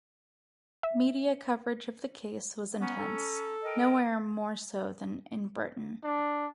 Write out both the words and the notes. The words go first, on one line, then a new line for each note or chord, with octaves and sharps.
Media coverage of the case was intense, nowhere more so than in Britain.
E5
B3 C#4 A#5
A4
A#4 D#5 G5
D4